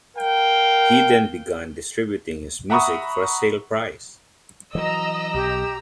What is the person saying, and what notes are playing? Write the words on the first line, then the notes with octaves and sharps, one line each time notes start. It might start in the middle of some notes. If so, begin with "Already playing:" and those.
He then began distributing his music for a sale price.
A#4 F5 G5
E5 F#5 A#5 B5 C#6 D#6
E3 F#3 D#5 A#5 E6
B1 G4